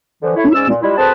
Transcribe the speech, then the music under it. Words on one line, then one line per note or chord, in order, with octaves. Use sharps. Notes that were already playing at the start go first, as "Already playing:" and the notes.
Y y
D3 E3 F3
A3 E4 C#5
G#2 G#3 C#4 D5 E6
A#2
G3 G#3 E4 F4
D2 C4 G#4 B4 C5 A5